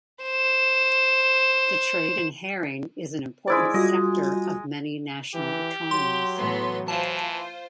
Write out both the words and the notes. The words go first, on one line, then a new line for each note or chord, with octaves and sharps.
The trade in herring is an important sector of many national economies.
C5 E7
G#3 E4 C5 D5
G3 F4 F#4 D#5
E3 G4
F#3 C6
A2 E3 B3
E3 F4 C5 A5